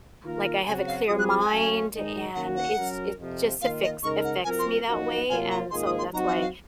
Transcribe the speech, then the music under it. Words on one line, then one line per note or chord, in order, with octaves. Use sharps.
like I have a clear mind and it's it's just affects affects me that way and so that's why
D#3 A#3 F4 A#4
C#3 F#3 C4 F#4 G#5
F5
F#3 C4 F4 G#4 D#6
F#6
F6
G#5
F#2 C#3 F#3 A#3 C#4
G#2 D#3 G#3 D#4
D#3 A#3 C#4 F#4 F#5
F#5
F#3 C#4 F#4 A#4
F2 C3 F3
D#3 A#3 F4 F5
D#5
C#3 G#3 D#4 A#4 C#6
F#5
F#3 C4 F4 A#4 G#5
C6
F#2 F3 A#3 D#4 F#4
C3 F#3 A#3 F4 G#5
A#5
G#2 D#3 A#3 F4 G#4 C6
D#6
C6
F#3 C4 D#4 F#4 A#5
F#5
F5